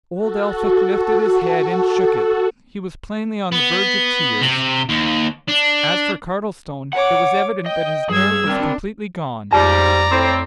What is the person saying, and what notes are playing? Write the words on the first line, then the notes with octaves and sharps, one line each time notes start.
Old Elphick lifted his head and shook it; he was plainly on the verge of tears; as for Cardlestone, it was evident that his nerve was completely gone.
F#4 A4
B3
C3
D#2
D4
C#5 F#5 D6
D#5 G5
G2 G#4 E6 G#6
C4 D4 A#4
F2 G#2 F3 G3 D5 A#5
A2 C4